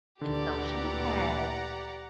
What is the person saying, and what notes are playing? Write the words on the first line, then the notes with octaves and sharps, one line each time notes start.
and so she had
D2 A#2 D3 E3 G4 D5 F#5 A#5